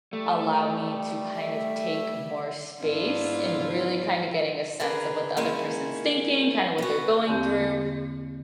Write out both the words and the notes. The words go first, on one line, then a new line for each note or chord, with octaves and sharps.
allow me to kind of take more space and really kind of getting a sense of what the other person's thinking, kind of what they're going through.
G3 A3
E5
G#2 B3 D4 E4 F4
D3 G#4 A#4 B4
D#3 G#3 A#3 C#4 E4
B3 F#4
E2 D3 A#3 C4 G4 G6